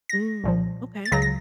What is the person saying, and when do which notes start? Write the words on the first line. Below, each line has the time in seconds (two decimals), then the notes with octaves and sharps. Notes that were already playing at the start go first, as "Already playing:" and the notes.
Mm. Okay.
0.09 A#6
0.44 C2 A#2 F3
1.05 A6
1.12 C#2 C#3 F#3 A#6
1.22 A#6